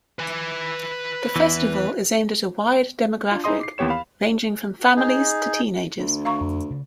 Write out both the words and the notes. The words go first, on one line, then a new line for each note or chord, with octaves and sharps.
The festival is aimed at a wide demographic ranging from families to teenagers.
B4 G#5
E2 E3
D4 F4
D#4 E4 G#4 D#5 C6 D#6
D6 C7
D#2 E3 B3 G4 C#5 E7
F5 B5
D#4 G#4
D2
F5 A#5 C#6
F2
C#3 D4